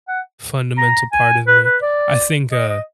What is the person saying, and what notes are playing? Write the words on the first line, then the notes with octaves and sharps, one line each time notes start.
fundamental part of me. I think, uh,
F#5
A#5
G#5
B4
B4
D5
D#5
D#5